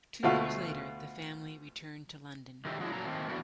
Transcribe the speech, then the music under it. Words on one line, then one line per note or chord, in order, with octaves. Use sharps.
Two years later the family returned to London.
D2 B2 A3 F4 F#4
D3 D#3 G3 G4 E5
F3 F#3 G#3 C#4 D4 E4
F2 A#2 F#3 C#4 A4 A#5
D#3 A3 A#3 C4
D3 E3 A3 B3 D4 F#4